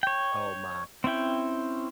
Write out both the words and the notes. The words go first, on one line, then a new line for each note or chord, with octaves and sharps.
Oh my.
C#5 G5
C4 C#4 E4 G5